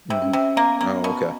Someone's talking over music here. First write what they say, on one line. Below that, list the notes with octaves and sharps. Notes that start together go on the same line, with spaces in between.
Mhm. Oh, okay.
C3
C#4
C3
A#3 B3
A#3 B3
B2